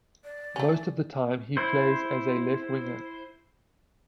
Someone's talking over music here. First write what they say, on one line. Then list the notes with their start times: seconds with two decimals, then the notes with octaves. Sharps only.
Most of the time he plays as a left winger.
0.24 D5
0.56 A3 C#4
1.57 E4 C5